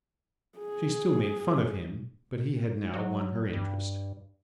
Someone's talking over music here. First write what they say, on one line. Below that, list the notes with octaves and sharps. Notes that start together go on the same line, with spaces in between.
She still made fun of him, but he had now won her interest.
G#4
F#3
G2